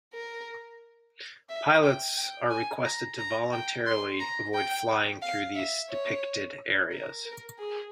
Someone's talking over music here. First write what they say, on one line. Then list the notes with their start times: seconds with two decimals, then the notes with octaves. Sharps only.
Pilots are requested to voluntarily avoid flying through these depicted areas.
0.14 A#4
1.49 E5
1.83 G5
2.17 G5
2.50 G#5
2.85 A#5
3.18 A#5
3.52 G5
3.86 C6
4.20 A#5
4.54 G5
5.22 F5
5.55 E5
5.89 C#5
6.91 A#4
7.25 A#4
7.58 G#4